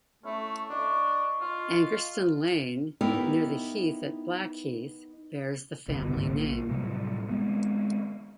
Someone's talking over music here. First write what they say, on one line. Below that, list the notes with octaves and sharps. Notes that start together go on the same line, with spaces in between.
Angerstein Lane, near the heath at Blackheath, bears the family name.
A3 C#4 E4 A4
D4 D5 D#5 C#6
F4 D#5 F#5 E6
B3 D#4 E4 G4 A#4
G1 C2 D3
G#2 D3 G3 A#3
A#1 A#3
A2 C3 F#3 G3
G#3 B3 C4